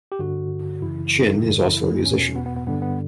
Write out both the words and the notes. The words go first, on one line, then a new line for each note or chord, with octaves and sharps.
Chin is also a musician.
G4
G2 D3 F#4
F#2 C#3 E3 E4
F#2 C#3 E3
E4
E2 B2 C#4
B3
B3
B3
G2 D3 B3
B3